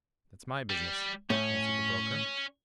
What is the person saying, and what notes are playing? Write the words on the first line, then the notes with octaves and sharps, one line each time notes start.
"That's my business," answered the broker.
G3
A2 C#4